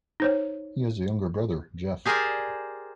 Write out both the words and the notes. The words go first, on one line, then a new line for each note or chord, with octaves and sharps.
He has a younger brother, Jeff.
D#4 C5 C#5
G4 G#4 A#4 C5 D5 G#5